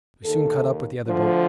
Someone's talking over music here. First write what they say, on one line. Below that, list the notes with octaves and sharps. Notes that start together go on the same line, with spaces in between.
We soon caught up with the other boat.
D#2 D#3 A4
D2 D3 F3